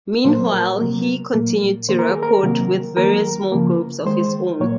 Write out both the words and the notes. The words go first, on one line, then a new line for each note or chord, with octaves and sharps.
Meanwhile, he continued to record with various small groups of his own.
A#2 F#3 A#3 C5
A#4
C3 F#3 A#3
A#2 F#3 A#3
D#3 A#3 C5
A#4
G#4
A#4
C3 D#3 F#3 A#3
D#3 F#3 A#3 A#4
C#3 F3 A#3
D#3 G#3 C5
A#2 F#3 A#3 C#5